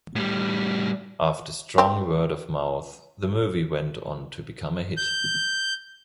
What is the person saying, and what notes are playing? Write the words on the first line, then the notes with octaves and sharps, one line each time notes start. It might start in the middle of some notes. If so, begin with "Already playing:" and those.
After strong word-of-mouth, the movie went on to become a hit.
A2 G3
C4 G4
G6